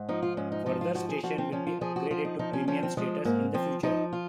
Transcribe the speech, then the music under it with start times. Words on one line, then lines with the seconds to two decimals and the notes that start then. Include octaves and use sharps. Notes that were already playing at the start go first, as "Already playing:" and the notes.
Further stations will be upgraded to premium status in the future.
Already playing: G#2
0.09 F3 D#4
0.22 F4
0.37 G#2 C#4
0.52 D#4
0.66 F3 D#4
0.81 F4
0.95 F3 F#4
1.09 G#4
1.23 F3 F#4
1.38 C4
1.52 F3 C#4
1.67 F4
1.81 F3 G#4
1.96 F#4
2.10 F3 F4
2.24 D#4
2.39 F3 D#4
2.53 C#4
2.68 F3 C#4
2.83 C4
2.97 F3 G#3
3.25 G#2 A#3
3.54 F3 C4
3.83 F3 D#4
4.13 F4